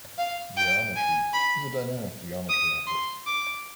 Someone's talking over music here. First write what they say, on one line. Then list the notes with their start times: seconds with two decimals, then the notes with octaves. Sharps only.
Jeometry is a dynamic geometry applet.
0.18 F5
0.57 G5
0.96 G#5
1.33 B5
2.50 D#6
2.87 C6
3.27 D6